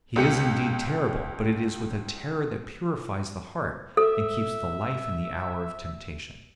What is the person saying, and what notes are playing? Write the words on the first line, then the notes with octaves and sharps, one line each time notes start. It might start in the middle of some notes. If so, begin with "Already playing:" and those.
He is indeed terrible, but it is with a terror that purifies the heart and keeps the life in the hour of temptation.
C#2 G4 C#7
A4 E5